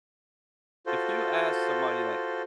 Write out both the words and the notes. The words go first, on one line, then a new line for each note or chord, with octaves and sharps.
If you ask somebody, like
F4 F#4 A4 C5